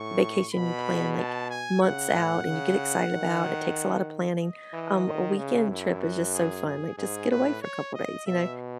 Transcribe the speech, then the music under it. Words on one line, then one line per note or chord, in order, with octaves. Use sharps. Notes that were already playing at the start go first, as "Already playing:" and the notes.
vacation you plan, like, months out and you get excited about and it takes a lotta planning, um, a weekend trip is just so fun, like, just get away for a couple days, you know?
Already playing: A2 C#6
B2 B5
A5
G#5
C#3 F#5
A2
C#3
D#3
D#5
E3
D#3
C#3
F#2 E4
F#4
G#4
G#4
G#2 G#4
A2 B4
C#5
D#5
B2 E5